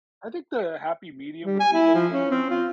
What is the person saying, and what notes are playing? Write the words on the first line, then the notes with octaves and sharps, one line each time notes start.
I think the happy medium would be like, uh,
G3
G#5
E4
F3
C#4
C4
F4